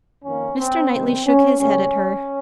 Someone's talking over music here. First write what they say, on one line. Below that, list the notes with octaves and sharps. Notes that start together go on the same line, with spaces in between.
Mr. Knightley shook his head at her.
F2 D#3 A#3 C#4
C4
C#2 C3 D#3 G3 A#3 C4
C#4
C#2 C#3 G3 A#3 C#4